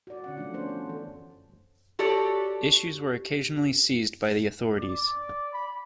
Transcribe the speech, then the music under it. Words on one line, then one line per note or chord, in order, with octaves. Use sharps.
Issues were occasionally seized by the authorities.
F#4 D5
D3 C#4 F#5
F3 A3 C4 D4 F4
B3 C#4 D4 C5
C#4
E3 A4
F#4 G4 A4 C#5 D5
D5
B5